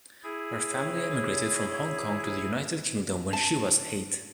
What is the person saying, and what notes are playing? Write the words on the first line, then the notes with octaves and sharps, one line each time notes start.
Her family emigrated from Hong Kong to the United Kingdom when she was eight.
E4 G#4
C#5
A5